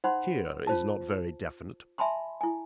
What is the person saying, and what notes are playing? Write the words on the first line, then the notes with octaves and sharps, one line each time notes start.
'Here' is not very definite.
D#4 C5 F#5 B5 C6
F4 C5 A5
E5 G#5 A5 B5 C6
E4 G#5